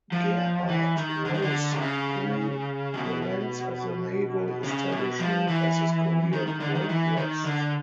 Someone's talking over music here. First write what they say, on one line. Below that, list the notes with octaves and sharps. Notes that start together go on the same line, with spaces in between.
Gerhardt rose through the ranks of the naval establishment as his career progressed.
F3
E3
D#3
D3
D#3
D3
C3
C#3
B2
B2
C#3
B2
F3
E3
D#3
D#3
D3
D#3
E3
D#3
D3